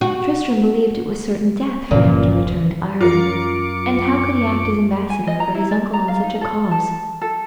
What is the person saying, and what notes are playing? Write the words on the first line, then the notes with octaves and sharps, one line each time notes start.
Tristram believed it was certain death for him to return to Ireland; and how could he act as ambassador for his uncle in such a cause?
F#4
G1 E2 A#2 C#3
F#2 F4 A#4 D6 C#7
G#5
D#5
A#5
E4
D5
A#5
F5
D#4
A4
A5
A4